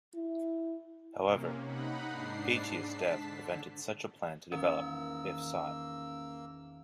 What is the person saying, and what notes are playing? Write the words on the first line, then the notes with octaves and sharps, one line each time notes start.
However, Aetius' death prevented such a plan to develop, if sought.
E4
C3 A#3 C#4
D#4 F#5 B5
G#2 D4 C7
A5 B6
D3
G#1 E2 D#3 A#3 C#4 E6